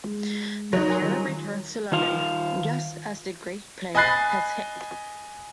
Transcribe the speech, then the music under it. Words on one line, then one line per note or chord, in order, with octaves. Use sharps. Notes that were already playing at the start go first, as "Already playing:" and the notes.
The pair returns to London just as the Great Plague has hit.
G#3
F#3 D#4
A#4 G#5 C6
D#3 G3 F4
D#3 F4 F5
D#5 G#5 B5 F#6 A6 C7